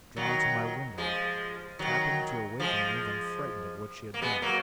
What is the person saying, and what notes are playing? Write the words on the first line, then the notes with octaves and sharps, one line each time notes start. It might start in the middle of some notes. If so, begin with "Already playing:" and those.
Drawn to my window; tapping to awaken me, then frightened at what she had done.
D#3 F#3
F3 G#3
D#3 F#3
F3 G#3
A#3
G#3 B3
F#3 A#3